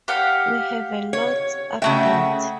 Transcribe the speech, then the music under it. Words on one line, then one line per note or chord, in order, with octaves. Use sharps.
We have a lost update.
G4 F5 F#5
C#5
C#3 A3 F#4 E5 G5